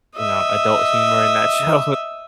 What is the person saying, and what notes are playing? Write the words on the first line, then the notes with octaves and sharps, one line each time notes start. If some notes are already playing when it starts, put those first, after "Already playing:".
you know, adult humor in that show
D#5 E5